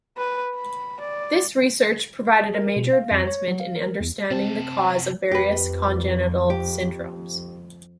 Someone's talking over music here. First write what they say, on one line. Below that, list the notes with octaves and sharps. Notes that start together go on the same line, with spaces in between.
This research provided a major advancement in understanding the cause of various congenital syndromes.
B4
B5
D5
G#4
A#4
B2
F5
F2
C#5
F#3
F5
A#4
E2
C3 C4 A5
F2 G4 B4
G4